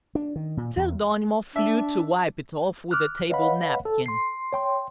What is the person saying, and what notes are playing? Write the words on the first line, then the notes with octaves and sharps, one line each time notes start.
Pseldonimov flew to wipe it off with a table-napkin.
D4
D#3
A#2
E2
D4 E5
D6 F6 F#6
B4 C#5 D#5 F5 F#5 B5
A4
C6 C7
C#5 G5 C6